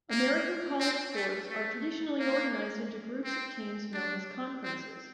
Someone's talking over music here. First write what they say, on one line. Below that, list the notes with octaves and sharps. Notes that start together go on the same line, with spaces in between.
American college sports are traditionally organized into groups of teams known as conferences.
A#3
C4
A3
A3
A#3
C4
D4
C4